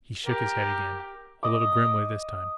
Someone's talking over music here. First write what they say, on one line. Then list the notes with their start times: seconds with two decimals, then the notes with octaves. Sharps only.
He shook his head again--a little grimly this time.
0.25 G4 A#4
1.43 D#5 D6